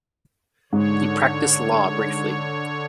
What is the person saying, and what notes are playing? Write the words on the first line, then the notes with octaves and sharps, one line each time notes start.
He practiced law briefly.
G#2 D3 C#5